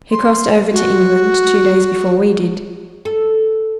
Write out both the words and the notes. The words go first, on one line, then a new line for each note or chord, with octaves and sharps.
He crossed over to England two days before we did.
C6
F#4
A4